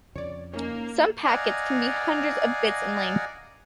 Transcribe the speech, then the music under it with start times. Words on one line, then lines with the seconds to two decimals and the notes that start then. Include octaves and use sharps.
Some packets can be hundreds of bits in length.
0.16 F2 C#3 C4 C#5 D5
0.53 A#3 C#4 D#4
1.26 D5 D#5 F5 F#5 G#5 A#5